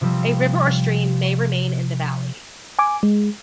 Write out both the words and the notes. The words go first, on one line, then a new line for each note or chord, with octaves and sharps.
A river or stream may remain in the valley.
C3 F3 G3 C4
G#5 D6
G#3